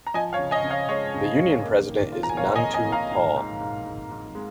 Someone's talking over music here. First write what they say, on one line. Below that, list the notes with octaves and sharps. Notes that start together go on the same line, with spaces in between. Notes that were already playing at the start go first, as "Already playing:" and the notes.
The union president is Nantu Paul.
A#5
F3 D#5 G#5
C#5 F5
C#3
D#5 G#5
C#3
C#5 F5
G#3 G#4 C#5
C#3
C#3
A#3
D#3
F4
A#5
G#5
A#3 C#5 F5
D#5 G#5
F2
D#5 G#5
A#3
F5 A#5
G#2
G#2
G#2
G#2
G#2
G#3